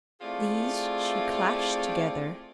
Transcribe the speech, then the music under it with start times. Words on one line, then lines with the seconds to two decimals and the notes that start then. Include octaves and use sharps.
These she clashed together.
0.21 A3 C4 E4 F4 G#4 D5